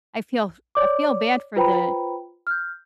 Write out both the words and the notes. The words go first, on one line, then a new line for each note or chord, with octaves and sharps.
I feel I feel bad for the
C#5 D5 D6
F4 B4 C5 G5 A#5 B5
F6 G6